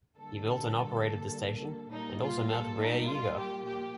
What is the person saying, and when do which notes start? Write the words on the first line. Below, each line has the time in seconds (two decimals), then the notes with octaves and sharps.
He built and operated the station, and also met Rhea Yeager.
0.18 D3 G3 A#3 A4
1.92 A#2 G3 A#3 D#4
2.21 F4
2.49 A4
2.79 D#4
3.08 F4
3.37 G4
3.65 A#2 F3 A#3 G4